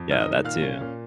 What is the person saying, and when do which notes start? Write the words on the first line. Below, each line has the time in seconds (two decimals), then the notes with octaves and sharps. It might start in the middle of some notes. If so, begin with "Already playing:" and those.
Yeah, that too.
Already playing: F2
0.08 D#4 F6
0.20 D#5 D#6
0.27 D#3
0.44 A#2 F5 F6
0.62 C#4
0.81 A#2